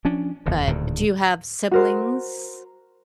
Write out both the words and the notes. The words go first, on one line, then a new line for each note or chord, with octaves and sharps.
But, do you have siblings?
F3 C#4 D4
F1 D#2 B2
D1 D2 A#2 D#3
F#4 A#4 C5